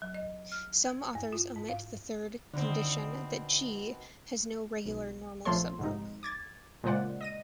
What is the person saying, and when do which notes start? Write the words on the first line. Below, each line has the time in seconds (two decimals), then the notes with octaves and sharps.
Some authors omit the third condition that "G" has no regular normal subgroup.
0.02 F#3
0.14 D#5
0.52 F6
0.86 G#6
1.15 G2
1.33 F4
1.56 G#2
1.69 F5
2.54 B2 D3 D#3 C4
4.85 B1
5.45 A#1 F3 A3 A4 C#5 C6
5.79 G#2 C3 D#4
6.23 D6 G#6 A6
6.84 A#2 C#3 G#3 C5 D5 F#5
7.21 D#5 A#6 D#7